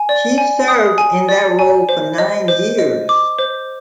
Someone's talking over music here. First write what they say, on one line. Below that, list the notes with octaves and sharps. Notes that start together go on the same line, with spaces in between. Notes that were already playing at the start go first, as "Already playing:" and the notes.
She served in that role for nine years.
Already playing: G#5
D5
G#5
D#6
G#5
D5
G#5
C5
D#5
C5
D#5
D6
C5